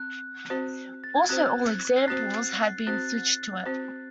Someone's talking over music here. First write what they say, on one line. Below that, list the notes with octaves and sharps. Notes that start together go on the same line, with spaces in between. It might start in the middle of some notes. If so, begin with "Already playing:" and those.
Also all examples had been switched to it.
Already playing: C4 F#6
C4 F#4 C5
A6
G#6
C4 F#4 C5 F#6
C7
C4 F#4 C5 F#6 A6
C4 F#4 C5 F#6 A6
C4 F#4 C5